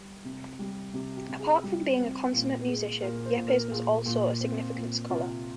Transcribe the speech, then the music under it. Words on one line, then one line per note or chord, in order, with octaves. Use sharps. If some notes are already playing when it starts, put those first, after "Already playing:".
Apart from being a consummate musician, Yepes was also a significant scholar.
Already playing: G3
C3
G3
C3 G4
G4
C3
G#4
G3 G4
C4
A#2
G#3
A#2 A#4
C5
A#2
A#4
A#2 G#4
A#2
C4
A#2
C3 F4